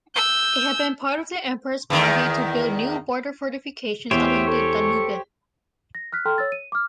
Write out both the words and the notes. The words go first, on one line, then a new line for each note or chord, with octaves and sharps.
It had been part of the emperor's policy to build new border fortifications along the Danube.
E6 G6
E2 D#3
E2 B3 G4 C5 C#5 E5
A4 C#6
A#6
F6 F#6 B6
A4 G5 A#5 C6 F6
C#5 E6 A6
D#7
D6 F6